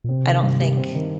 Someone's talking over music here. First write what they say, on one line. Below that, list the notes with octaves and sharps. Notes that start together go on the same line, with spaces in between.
I don't think
A#2
C3 C4
D#3
G2
G3
C4
D#3